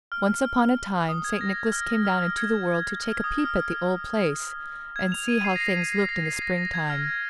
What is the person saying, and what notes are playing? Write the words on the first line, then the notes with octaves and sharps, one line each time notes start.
Once upon a time St. Nicholas came down into the world to take a peep at the old place and see how things looked in the spring-time.
F6
F6
D#6
G#6
A#6
F6
F6
G#6
F6
D#6
F6
G#6
F7
D#7
D#7
C7
A#6
C7
D#7
C7
A#6
C7
A#6
A#6
G#6
F6